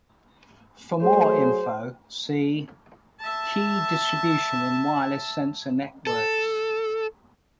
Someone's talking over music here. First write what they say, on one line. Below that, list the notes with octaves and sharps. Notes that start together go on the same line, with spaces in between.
For more info see: key distribution in wireless sensor networks.
F#3 A3 G#4 C5
E5 A5
A4